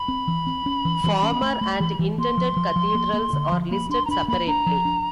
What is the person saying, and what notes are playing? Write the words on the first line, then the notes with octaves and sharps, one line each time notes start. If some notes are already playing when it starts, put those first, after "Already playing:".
Former and intended cathedrals are listed separately.
Already playing: B5
C4
E3
C4
C#4
E3
E3
C#4
A3
A3
E3
E3
A#3 C6
F3
F3
F3
A#3
A#3
D3
F3
A#3 B5
D4 C6
A#5
D4 B5
A#3 B5
D4 A#5
F3
D4